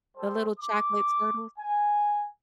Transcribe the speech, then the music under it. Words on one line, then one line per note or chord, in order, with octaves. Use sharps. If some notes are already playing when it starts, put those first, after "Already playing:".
The little chocolate turtles?
G3 A4 C5
D6
G#5